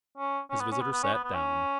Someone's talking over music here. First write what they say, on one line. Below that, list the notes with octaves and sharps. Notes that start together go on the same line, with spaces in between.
His visitor sat down.
C#4
C#4
B3
C#4
B3
B3
C#4
B3
B3
C#4